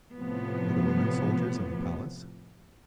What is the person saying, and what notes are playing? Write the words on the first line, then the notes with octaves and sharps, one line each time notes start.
"Are the women soldiers in the Palace?"
A2 C3 F3 B3